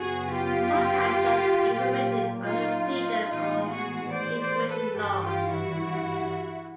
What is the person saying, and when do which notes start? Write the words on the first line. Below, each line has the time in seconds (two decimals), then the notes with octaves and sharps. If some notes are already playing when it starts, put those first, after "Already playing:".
The podcast sought information under Freedom of Information laws.
Already playing: F#2 C#3 F#3 B3 F#4 G#4
0.32 F4 G4
1.58 A#2 F#3 A#3
2.42 D#4 F4
2.85 D#4 F4
3.26 A2 E3 G#3 B3 D#4 F4
3.68 F#4 G#4
4.10 C5 D5
4.39 C5 D5
4.66 A4 B4
4.95 G2 E3 G3 G4 A4
5.23 F4 G4
5.51 E4 F#4